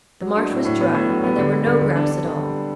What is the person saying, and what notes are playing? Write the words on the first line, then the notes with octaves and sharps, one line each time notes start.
The marsh was dry and there were no grouse at all.
F#3
D4
A2
A2
B3
A2
F#3
B3
D3
G3
D3
D3
D4
D4
D3
G3